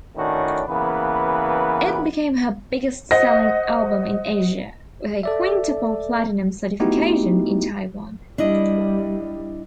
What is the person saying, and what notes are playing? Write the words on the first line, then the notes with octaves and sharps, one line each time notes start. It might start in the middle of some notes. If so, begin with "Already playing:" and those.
It became her biggest-selling album in Asia, with a quintuple platinum certification in Taiwan.
A2 D#3 C#4 D4 F#4
C#3 E3 A#3 B3 B4
C5 D#5 F#5 A#6
A4 D5 E5
A3 B3 D#4 E4 F#4 G4
G3 D4 E4 D#5